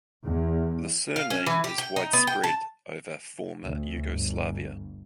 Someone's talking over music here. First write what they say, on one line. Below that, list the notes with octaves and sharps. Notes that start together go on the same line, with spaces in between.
The surname is widespread over former Yugoslavia.
E2
F5
C#4
E3
G4
G5
D#4
B3
G5
A5
D2
G1